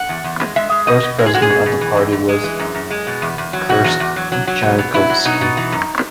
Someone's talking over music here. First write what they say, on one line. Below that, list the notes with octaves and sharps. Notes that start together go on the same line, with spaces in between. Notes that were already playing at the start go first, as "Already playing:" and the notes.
First president of the party was Krste Jankovski.
Already playing: F#5
E2
E2
G#3
G#3 E5
G#3
B2 D#5
B2
G#3 A#4
G#4
G#3 F#4
G#4
B2
B2
E3
F#2
F#2
G#3
E3
F#2
F#2
G#3
B2
E2
E2
F#3
B2 F#4
E2
E2
F#3
F#3
F#3
B2
B2
F#3 E4
F#3
B2 D#4
B2
E3
F#2